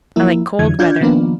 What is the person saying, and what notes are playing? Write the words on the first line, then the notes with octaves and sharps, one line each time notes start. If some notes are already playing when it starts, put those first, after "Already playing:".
I like cold weather.
F3 A#3 E4
F2 D3 E3 G#6
D4 F4 G6 G#6
D#3 F3 A#3 B3 D4 F4